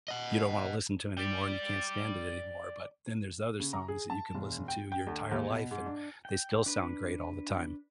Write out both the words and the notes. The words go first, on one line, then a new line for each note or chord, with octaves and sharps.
you don't want to listen to anymore and you can't stand it anymore, but then there's other songs that you can listen to your entire life, and they still sound great all the time.
D#5 F#5
D5 G5
C#3
A#5
G#4
A5
E1
G5
G5
D2
D#2
B2
G#2
D4
G5
D4 B4